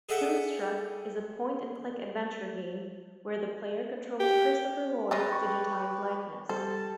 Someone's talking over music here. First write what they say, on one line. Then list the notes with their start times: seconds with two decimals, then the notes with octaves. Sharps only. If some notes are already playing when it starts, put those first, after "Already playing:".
"Toonstruck" is a point-and-click adventure game where the player controls Christopher Lloyd's digitized likeness.
0.09 G#4 A4 D#5 E5 F#5 G5
4.20 G4
5.11 G3 G#3 C#4 G4 B4 A6 A#6
5.32 C#6
6.49 G3 A4 C5
6.70 A5